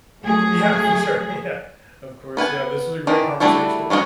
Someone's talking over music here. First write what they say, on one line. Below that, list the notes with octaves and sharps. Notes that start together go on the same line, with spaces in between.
Yeah, for sure, yeah. Of course, yeah, this was a great conversation.
F#3 A3 G#4
B3 B4 F#5 G#5
D#3 E3 D4
G3 A3 D4 E4 F#4
F#3 G#3 C#4 D4 F#4